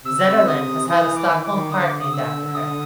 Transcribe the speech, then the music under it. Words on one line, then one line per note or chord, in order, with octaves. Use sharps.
Zetterlund has had a Stockholm park named after her.
C3 E6
C#3
C3
D#6
E3 D#6
D6
D#3
E3 D6
D#3
D3 D#6
D6
D#6
E6
D#6